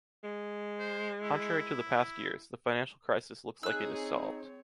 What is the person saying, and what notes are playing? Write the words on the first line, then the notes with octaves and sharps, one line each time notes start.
Contrary to the past years, the financial crisis looks like it is solved.
G#3
C5
E4
C4 D#4 G#4 C#5 E6 F#6